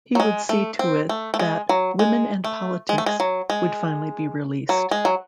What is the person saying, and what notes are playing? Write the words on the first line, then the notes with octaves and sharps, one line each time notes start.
He would see to it that "Women and Politics" would finally be released.
F#3
G#3
A3
C4
A3
A3
G#3
F#3
G#3
A3
G#3
A3
G#3
F#3
G#3
F#3
G#3
F#3